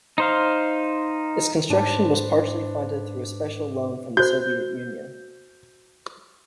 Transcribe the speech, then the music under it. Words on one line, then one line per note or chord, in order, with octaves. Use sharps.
Its construction was partially funded through a special loan from the Soviet Union.
D#4 C5 F5
G#2 D4 B4 C5
F#4 C5 G6